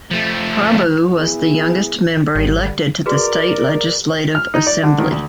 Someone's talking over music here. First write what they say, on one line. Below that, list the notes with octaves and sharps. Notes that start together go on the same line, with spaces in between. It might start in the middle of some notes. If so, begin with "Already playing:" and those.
Prabhu was the youngest member elected to the State Legislative Assembly.
F3 A3
B3 E4 G#4
G#1 D3 G3
F#4 G#4 A#4 B4 D5
F6
D#4
D5
D3
D#3
D2